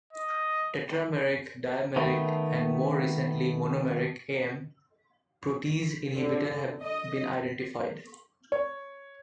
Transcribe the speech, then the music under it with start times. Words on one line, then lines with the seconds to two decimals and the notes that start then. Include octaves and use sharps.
Tetrameric, dimeric, and, more recently, monomeric aM protease inhibitors have been identified.
0.13 D#5
1.96 D#3 A3 B3
6.16 D3
6.83 D#5
8.52 C#5